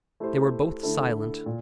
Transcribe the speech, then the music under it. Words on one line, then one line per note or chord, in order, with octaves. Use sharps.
They were both silent.
A3 E4 G4 C5
D3 A3 E4 A4
A#2